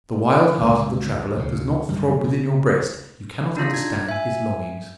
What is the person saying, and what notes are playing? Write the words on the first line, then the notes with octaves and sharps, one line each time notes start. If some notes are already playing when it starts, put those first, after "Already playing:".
The wild heart of the traveller does not throb within your breast; you cannot understand his longings.
C#2 G2 D3
D2 C#3
F#2 D3 G3
C#3
D4 D#4 F4
G#6
E5 G#5